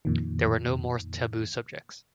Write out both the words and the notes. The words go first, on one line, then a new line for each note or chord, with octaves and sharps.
There were no more taboo subjects.
F2 A#2 D#3